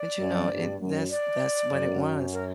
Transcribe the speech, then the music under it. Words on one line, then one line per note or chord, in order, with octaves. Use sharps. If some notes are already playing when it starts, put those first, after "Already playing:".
But, you know, and that's that's what it was,
Already playing: D5
F#2
G2
F#2
D5
F#2
A#4